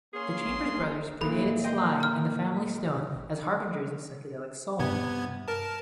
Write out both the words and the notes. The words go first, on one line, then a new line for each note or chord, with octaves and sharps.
The Chambers Brothers predated Sly and the Family Stone as harbingers of psychedelic soul.
A#3 C#4 G#4 C6
A#2 E3 A4 B5
D#5 G5 C6
A#5 F6
G2 C3 B3 G#6
A#4 A5